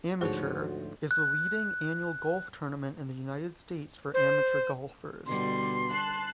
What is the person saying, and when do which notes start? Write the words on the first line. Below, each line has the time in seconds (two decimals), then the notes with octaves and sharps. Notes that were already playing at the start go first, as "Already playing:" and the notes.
Amateur, is the leading annual golf tournament in the United States for amateur golfers.
0.21 D2 G#2 F3 F#4 G#4 C5 C#5
1.11 F#6
4.14 C5
5.26 B2 D3 G3 C6
5.91 A5 F#6 C7